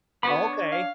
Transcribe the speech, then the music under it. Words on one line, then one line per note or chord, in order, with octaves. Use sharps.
Oh, okay.
B3 F#4 B4 B5
D4 C#5
F5